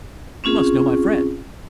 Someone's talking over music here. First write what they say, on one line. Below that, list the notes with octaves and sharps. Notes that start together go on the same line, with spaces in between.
You must know my friends....
C4 C#4 F4 G#4